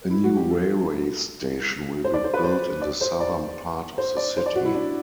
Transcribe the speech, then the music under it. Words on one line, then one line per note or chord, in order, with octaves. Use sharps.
A new railway station will be built in the southern part of the city.
E4
F#4
G4
A4
C5
D5
C5
B4
C5
D5
C5
D5
C5
D5
C5
D5
F#4
E4
D4